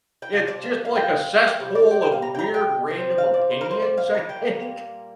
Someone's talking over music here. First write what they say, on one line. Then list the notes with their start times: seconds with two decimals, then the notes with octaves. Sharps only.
it's just like a cesspool of weird, random opinions, I think?
0.22 G5
0.32 C3 F3 F5
0.48 D5
0.64 F5
0.85 F5
0.96 G5
1.59 C3 G3 F5
1.75 D5
1.91 G5
2.02 G5
2.12 F5
2.22 A#5
2.35 G5
2.39 A#5
2.54 G5
2.87 C3 F3 C4
3.18 F5
3.34 D5
3.51 C5
3.61 A#4
3.71 C5
3.82 D5
3.98 F5
4.14 A#2 G3 A#3 A#5
4.29 G5